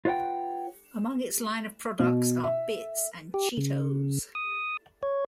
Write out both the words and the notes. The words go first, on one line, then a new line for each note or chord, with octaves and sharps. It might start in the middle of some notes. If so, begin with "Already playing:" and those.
Among its line of products are Bits and Cheetos.
F4 B4 C#5 F#5 G5
B2
E5
G4
C#3
D#6
C#5